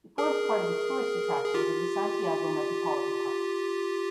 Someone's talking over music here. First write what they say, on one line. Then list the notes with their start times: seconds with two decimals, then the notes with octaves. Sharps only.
It forms part of the tourist attractions of the Santiago Metropolitan Park.
0.18 G#4 A#4
1.45 G#4
1.54 F4 G4